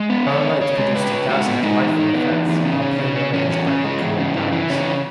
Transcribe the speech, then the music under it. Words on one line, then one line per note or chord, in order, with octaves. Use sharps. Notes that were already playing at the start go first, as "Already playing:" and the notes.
Our lights produced a thousand delightful effects while playing over these brightly colored boughs.
Already playing: G#3
B3
C#3 C#5
C#3
C#3 C#5
G#3
C#3 B4
C#3
G#3 F#4
B3
G#3 D#4
E2
D#3
B3
E2
E2
C#3
C#4
C#3
C#4
E2 C#4
C#4
C#3
G#3
E2
C#3
E3
E3
C#3 C#4
C#3